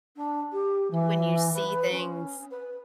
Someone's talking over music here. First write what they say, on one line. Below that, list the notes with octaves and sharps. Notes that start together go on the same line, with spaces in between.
when you see things
D4
G4
E3
B4
C#4
B4